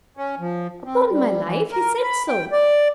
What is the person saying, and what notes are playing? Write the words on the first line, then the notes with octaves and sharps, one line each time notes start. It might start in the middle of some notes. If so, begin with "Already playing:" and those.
'Upon my life, he said so!
C#4
F3
C4
G3
E3
A#4
B5
G5
D5